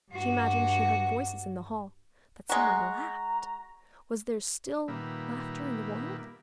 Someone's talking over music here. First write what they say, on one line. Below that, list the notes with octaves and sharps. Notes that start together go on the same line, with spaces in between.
She imagined she heard voices in the hall--that some one laughed--was there still laughter in the world?
G2 F#4
G#3 F#4 A#5
A#2 D#3 G3 A#3 B3 E5